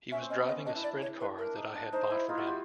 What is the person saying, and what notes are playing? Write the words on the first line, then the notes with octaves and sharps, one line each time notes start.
He was driving a sprint car that I had bought for him.
C#4 E5
C4
C#4 D#5
B3
C4 D#5
C#4
D4 D#5
E4
D5
C#5
B4
A#4
D4
D#4
D4
D#4 C5
E4
D#4 F4
E4 F#4
F4 G4